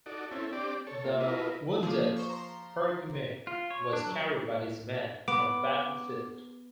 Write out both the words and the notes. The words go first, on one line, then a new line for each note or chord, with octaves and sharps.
The wounded Herkimer was carried by his men from the battlefield.
D#4 F#4 A4 D5
C4 C#4 E4 A4
C4 D4 G4 D5
A4 C#5
A#3 C4 F4
E4 F4 A#4 B4 D#5
F3 A#3 G#4
C5 C6 C#6
A#5 C6
F4
C#5
D4
F#3
B3 D6